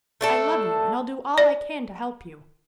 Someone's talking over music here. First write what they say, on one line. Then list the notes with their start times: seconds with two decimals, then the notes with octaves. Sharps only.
I love you, and I'll do all I can to help you.
0.21 A3 D4 A4
1.38 D5